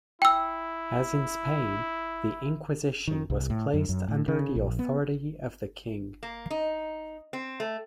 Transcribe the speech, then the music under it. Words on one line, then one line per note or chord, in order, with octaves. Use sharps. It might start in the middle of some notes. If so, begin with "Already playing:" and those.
As in Spain, the Inquisition was placed under the authority of the king.
E4 G5 E6
D#3
C2
A2
F#2
F#2
A2
C#3
A#1
B3
A#3
D#4
C4
A3